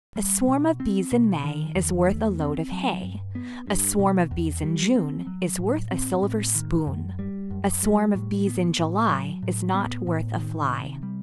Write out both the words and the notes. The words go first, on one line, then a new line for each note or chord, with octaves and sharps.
A swarm of bees in May Is worth a load of hay; A swarm of bees in June Is worth a silver spoon; A swarm of bees in July Is not worth a fly.
G3
B2
C4
B2
D#3
E2
A3
C4
F#3
G2
B3
G2
B2
E2
G3
C4
F#3
A2
C4
A2
D#3
F#2
G3
F#2
G3
A2
B3
A2
F#3
A2
B3
A2
D#3
C3
G3